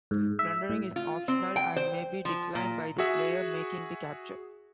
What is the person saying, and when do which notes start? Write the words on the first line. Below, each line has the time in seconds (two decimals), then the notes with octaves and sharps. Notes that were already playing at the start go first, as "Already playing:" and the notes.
Plundering is optional and may be declined by the player making the capture.
0.11 G#2
0.39 E5
0.69 A2
0.96 F4
1.28 C4
1.56 G5
1.76 C5
2.25 F3
2.55 A#2
2.98 F#4 G#4 E5